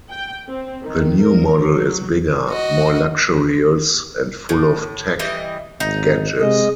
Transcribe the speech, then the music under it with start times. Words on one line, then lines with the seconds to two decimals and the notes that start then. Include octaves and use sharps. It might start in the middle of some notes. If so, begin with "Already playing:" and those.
The new model is bigger, more luxurious and full of tech gadgets.
0.11 G5
0.48 C4
0.83 D#3
1.21 A#4
1.74 F#3
2.49 F#4 D#5
4.49 A2
5.19 E3 G3 D#5
5.80 G#1 D#4
6.40 C3 G#3 D#5